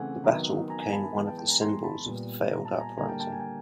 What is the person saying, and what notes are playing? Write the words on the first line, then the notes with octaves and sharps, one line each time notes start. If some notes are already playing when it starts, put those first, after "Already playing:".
The battle became one of the symbols of the failed uprising.
Already playing: C#3 E3 A3 C4 F#5 G#5
D#3 F#3 B3
G#5 A#5
G#5 A#5
A5 B5
A5 B5
E3 G#3 B3 A5 B5
G5 A5
G5 A5
G#5 A#5
A#5 C6
A5 B5
A#2 G3 B3
A#5
A5
G#5 A#5
D3 G3 A#3 G#5 A#5
G5 A5
G5 A5
G#5
G5